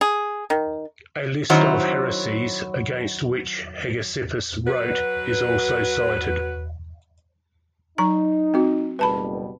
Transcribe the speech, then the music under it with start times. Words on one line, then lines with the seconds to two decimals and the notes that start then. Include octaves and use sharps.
A list of heresies against which Hegesippus wrote is also cited.
0.01 G#4
0.50 D#3
1.50 F#2 D#3 F#3 E4 C5 F#5
4.67 F#3 F#4 B4
7.98 F#3 D#4 A#5
8.54 C4 F#4
8.99 F#1 B2 G3 B4 A5 B5